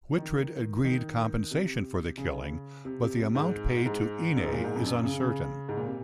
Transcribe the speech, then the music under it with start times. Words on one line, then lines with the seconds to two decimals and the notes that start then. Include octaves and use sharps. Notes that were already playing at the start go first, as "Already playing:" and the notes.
Wihtred agreed compensation for the killing, but the amount paid to Ine is uncertain.
0.17 D#3
0.84 D#3
1.51 C3
2.18 C#3
2.85 C3
3.02 C3
3.19 C3
3.35 G#2
3.86 G#2
4.37 F#2
4.44 G#2
4.53 A#2
4.64 G#2
4.76 F2
4.86 F#2
5.03 C#3
5.20 C#3
5.69 G#2
5.77 A#2
5.87 C3